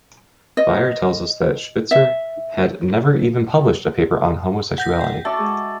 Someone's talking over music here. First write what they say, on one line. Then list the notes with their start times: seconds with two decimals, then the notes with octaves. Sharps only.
Bayer tells us that Spitzer had never even published a paper on homosexuality.
0.57 D#5
1.91 E5
4.78 F#5 G6 A#6
5.01 F#5 G5
5.25 F#4 A4 D5 E5
5.39 G#3 G#4